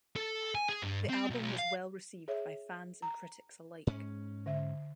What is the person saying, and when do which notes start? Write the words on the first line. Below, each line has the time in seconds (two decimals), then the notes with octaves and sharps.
The album was well received by fans and critics alike.
0.16 A4
0.55 G#5
0.69 G#4
0.82 G2
1.09 C4
1.30 B1
1.58 F5
2.28 G#4 C#5 E5
3.02 A#5
3.87 G#2 C#4
4.46 D3 E5